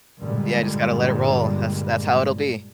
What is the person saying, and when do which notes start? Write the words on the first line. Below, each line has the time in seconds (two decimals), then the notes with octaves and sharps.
Yeah, just gotta let it roll. That's that's how it'll be.
0.20 G2 A#2 D3 G3 G#3